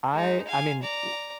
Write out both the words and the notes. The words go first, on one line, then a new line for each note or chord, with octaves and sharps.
I I mean, w
G#3 D#4
F5 G#5
D5 A#5